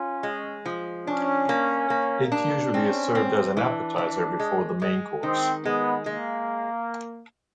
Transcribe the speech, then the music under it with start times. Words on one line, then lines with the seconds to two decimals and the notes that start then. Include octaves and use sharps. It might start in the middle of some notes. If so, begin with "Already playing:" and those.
It usually is served as an appetizer before the main course.
Already playing: C#4 F4
0.23 G#3
0.66 F3
1.07 C#4 D4
1.49 A#3
1.90 A#3
2.32 D4
2.73 C4 C#4
3.15 C4
3.57 E3 D4
3.98 E3
4.40 G#3
4.82 G#3
5.23 D#3 C4
5.65 G#3 B3
6.06 G#3 A#3